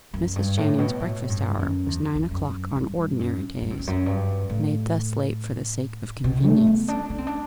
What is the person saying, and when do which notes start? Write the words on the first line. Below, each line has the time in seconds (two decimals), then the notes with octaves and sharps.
Mrs. Channing's breakfast hour was nine o'clock on ordinary days, made thus late for the sake of convenience.
0.14 F#2
0.36 G2
0.57 A2
0.78 B2
1.00 A2
1.29 G2
1.59 F#2
1.88 E2
2.16 E2
2.31 F#2
2.76 G2
2.96 G2
3.19 F#2
3.62 G2
3.70 F#2
3.79 E2
3.87 F#2
4.06 G2
4.49 A2
6.24 B2
6.46 A3
6.67 B3
6.88 D4
7.10 D4
7.18 C4
7.27 D4